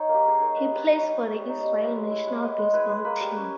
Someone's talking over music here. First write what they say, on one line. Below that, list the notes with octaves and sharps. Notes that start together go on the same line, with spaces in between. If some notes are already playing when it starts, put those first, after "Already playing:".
He plays for the Israel National Baseball Team.
Already playing: D#4 C#5
A#3
G4
A#3 G#4
D#4 A#4
B3 B4
G3 B4
D#4 D#5
C#5
G3
B3 C#5
G3
D#5
D#4
G3 D#5
B3 E5
G#3
E4
G#3
B3 D#5
G#3
E4 B4
G#3
A#3 B4
G3
C#4